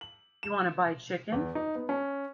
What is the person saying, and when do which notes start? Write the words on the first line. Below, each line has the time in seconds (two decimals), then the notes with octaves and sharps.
You want to buy chicken?
0.01 F#7
0.43 E7
1.32 E2
1.55 D#4
1.75 B3
1.89 C#4